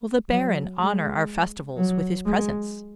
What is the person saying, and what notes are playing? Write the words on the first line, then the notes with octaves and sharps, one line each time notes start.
"Will the Baron honor our festivals with his presence?"
F#3
G#3
F#3
G#3